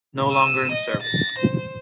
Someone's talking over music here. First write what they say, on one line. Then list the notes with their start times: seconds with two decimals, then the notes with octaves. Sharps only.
No longer in service.
0.32 E6 D#7
0.71 D#5
1.02 A6 A#6
1.38 C5